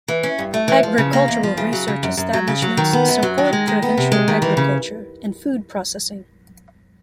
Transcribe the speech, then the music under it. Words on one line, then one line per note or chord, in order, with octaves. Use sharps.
Agricultural research establishments support provincial agriculture and food processing.
E3
C#4
G2
A3
E3
F3
C#3
A#3
E2
F3
C#3
F#3
C#3
F#2
F#2
F#3
C#3
F#3
D#3
B3
F#2
F#3
D#3
G#3
D#3
B3
C3
G#3
D#3
E3
C#3